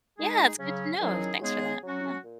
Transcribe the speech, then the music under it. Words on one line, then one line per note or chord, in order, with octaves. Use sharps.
Yeah. It's good to know. Thanks for that. Yeah.
G#3 D#4 G#4
C#3 F#3 C#4
D#3 F#3 C#4 E4 G#4
C#3 G#3 B3 D#4 G#4
F#3 C#4 F#4
A#2